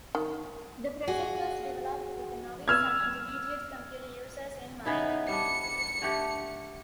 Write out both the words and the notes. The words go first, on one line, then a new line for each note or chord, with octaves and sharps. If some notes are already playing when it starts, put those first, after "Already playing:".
The project was developed with novice and intermediate computer users in mind.
D#3
F#4 G#4
E6 F6 G#6
C#3 B3 D#4 E4
G3 D4 C#7
D3 A3 G4